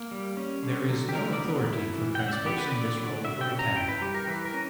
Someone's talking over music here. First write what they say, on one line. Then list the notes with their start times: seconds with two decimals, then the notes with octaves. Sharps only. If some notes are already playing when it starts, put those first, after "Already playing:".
There is no authority for transposing this role for a tenor.
Already playing: A#3
0.11 G3
0.37 C#4
0.63 D3
0.89 F#3
1.09 G4
1.15 D3 A#4
1.33 D5
1.41 B3
1.68 E4
1.93 E3
2.15 G5
2.19 C#3 F#5
2.28 E5
2.33 D5
2.46 B3 G4
2.58 B4
2.72 D3 D5
2.98 F#3
3.24 D3 E5
3.41 G5
3.50 C#4
3.59 A#5
3.75 E4 G5
3.89 B4
4.01 G3 G4
4.14 A#4
4.28 E3 B4
4.45 A#4
4.54 C#4